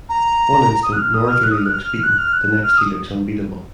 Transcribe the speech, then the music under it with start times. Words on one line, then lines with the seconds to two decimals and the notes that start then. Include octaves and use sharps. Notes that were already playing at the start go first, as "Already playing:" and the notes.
One instant Northerly looks beaten, the next he looks unbeatable.
0.09 A#5
0.83 D#6
0.92 F#6
0.99 F6
1.14 D#6
1.28 F6
1.43 F#6
1.51 D#6
1.58 F6
1.66 F#6
1.73 F6
2.02 F#6
2.18 F6
2.32 F#6
2.62 F6
2.77 D#6